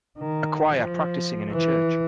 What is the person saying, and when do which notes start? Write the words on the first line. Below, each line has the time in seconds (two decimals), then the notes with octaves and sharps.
A choir practicing in a church.
0.19 D#3
0.74 F3
1.51 E3